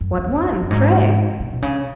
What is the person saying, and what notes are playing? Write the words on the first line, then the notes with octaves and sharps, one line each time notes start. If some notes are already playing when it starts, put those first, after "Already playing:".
"What one, pray?"
F#2
E2
F#2
E2
F#2
G#2
B2
B2
C#3